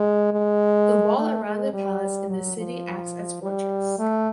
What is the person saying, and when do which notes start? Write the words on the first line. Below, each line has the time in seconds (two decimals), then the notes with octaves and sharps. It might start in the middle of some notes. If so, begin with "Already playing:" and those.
The wall around the palace and the city acts as fortress.
Already playing: G#3
0.33 G#3
1.17 A3
1.45 G#3
1.73 G3
2.29 F#3
2.57 F3
3.42 G3
3.99 A3